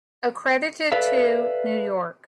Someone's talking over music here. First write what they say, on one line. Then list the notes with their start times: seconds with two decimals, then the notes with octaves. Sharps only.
Accredited to: New York.
0.92 A4 B4 D5 E5 F5